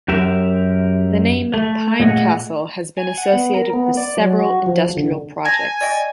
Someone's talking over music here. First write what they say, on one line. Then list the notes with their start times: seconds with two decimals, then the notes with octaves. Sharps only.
The name "Pine Castle" has been associated with several industrial projects.
0.08 F#2 G4 A#4 E5
1.54 A3
2.00 A#2 A3 G#4 D#5 F#5
2.97 G#5
3.18 F#5
3.33 B3
3.54 A#4
3.73 B3
3.97 D5
4.17 F#3
4.39 F#4
4.66 F3
4.97 D3
5.45 G#5 A5 G#6 A#6
5.81 D5 D#5 G5